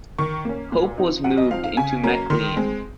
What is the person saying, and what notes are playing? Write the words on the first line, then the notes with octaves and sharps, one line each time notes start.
Hope was moved into McLean.
D#3 C#6
A#3 C#4
A#2
F3 C4 D#4
F#2 F#5
D#5
F3 C4 D#4 F5
F5
C#3 G#5
F#3 A#3 C#4 A#5
D#3 C6
G#3 C4